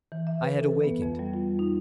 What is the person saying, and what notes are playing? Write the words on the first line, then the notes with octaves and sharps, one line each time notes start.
I had awakened.
E3
E5
B4
A4
B3
F2
G3
F4
D#4